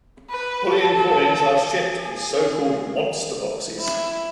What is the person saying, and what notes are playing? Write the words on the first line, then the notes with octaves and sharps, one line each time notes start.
Bullion coins are shipped in so-called monster boxes.
B4
A4
G#4
E4